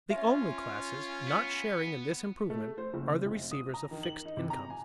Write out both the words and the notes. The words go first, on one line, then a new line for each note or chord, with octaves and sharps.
The only classes not sharing in this improvement are the receivers of fixed incomes.
C#4 F4 E5
B3
A3
C5
F#1
F1
D#6
A#5
D#3
F#7
D#4
C3
A#5
G#5